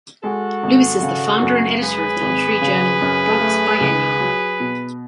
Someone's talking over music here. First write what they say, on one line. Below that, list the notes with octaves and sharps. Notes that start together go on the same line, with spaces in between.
Lewis is the founder and editor of the literary journal "Bronx Biannual".
G#3 F#4 A4
G#1
C#3
F#2
G#3 G#4 B4
G#1
C#3
F#2
A3
C#2
F#3
B2